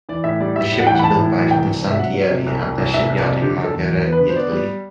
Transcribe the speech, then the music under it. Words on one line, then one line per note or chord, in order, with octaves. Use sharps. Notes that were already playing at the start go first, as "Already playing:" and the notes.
The ship was built by Fincantieri at their shipyard in Marghera, Italy.
E3 D5
A2 E5
G3 D5
G3 E5
A2
F#5
E3 G5
F#5
B5
E3 A5
A2
E3
C2 G5
C2
C3
E5
F#3 F#5
F#3
C3
C2
C2
C2
C2 E5
C2
D5
C3
D3 G4
D3
A4
E2
E2
B3
B4
D3
C5
B3 D5
G3